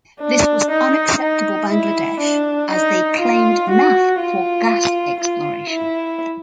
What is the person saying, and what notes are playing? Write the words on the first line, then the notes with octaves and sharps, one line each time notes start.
This was unacceptable Bangladesh as they claimed Naaf for gas exploration.
D4
D#4
D#4
E4
D4
D#4
F4
F#4
F4
F4
E4